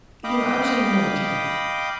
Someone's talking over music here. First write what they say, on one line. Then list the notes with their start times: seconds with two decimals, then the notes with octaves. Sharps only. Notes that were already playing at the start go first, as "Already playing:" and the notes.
you know, I was in the military
0.24 D#5 F5 G5 B5 D6 D#6